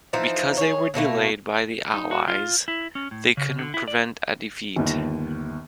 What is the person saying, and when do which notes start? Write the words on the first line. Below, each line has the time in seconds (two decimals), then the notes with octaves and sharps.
Because they were delayed by the Allies, they couldn't prevent a defeat.
0.13 E3 F3 C4 D#4
0.57 G#4 C#5
0.94 B2 F#3 A3 A#3
1.94 D#4
2.11 F#4
2.28 F4
2.68 E4
2.95 C#4
3.11 A2
3.37 C#3
3.59 D3
3.74 E4
3.88 D5
4.76 G1 D#2